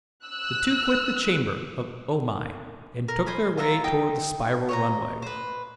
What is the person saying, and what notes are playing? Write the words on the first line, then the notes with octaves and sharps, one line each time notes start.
The two quit the chamber of O-Mai and took their way toward the spiral runway.
E6 F#6
A#4
C5 D#5 G#5 B5
F4 D#5 E5 A#5
D#4 G5 D#6
C#5 D#5 A#5
B4 C5